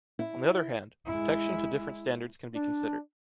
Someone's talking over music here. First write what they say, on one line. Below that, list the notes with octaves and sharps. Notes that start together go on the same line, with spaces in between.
On the other hand, protection to different standards can be considered.
E4
G#3 E4
D4